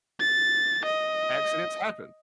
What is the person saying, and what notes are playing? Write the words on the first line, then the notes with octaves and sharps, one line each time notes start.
Accidents happen.
A6
D#5